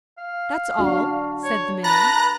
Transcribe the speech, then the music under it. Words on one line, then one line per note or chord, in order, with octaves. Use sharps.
"That's all," said the man.
F5
D4 F#4
C#5
B4 A5 A#5 F#6 A#6